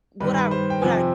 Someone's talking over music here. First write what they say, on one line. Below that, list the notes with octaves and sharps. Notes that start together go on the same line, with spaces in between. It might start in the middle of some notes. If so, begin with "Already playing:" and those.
what I what I
G2 D#3 G3 B4
B4
C5
G5
F2 C3 F3 C4 G#5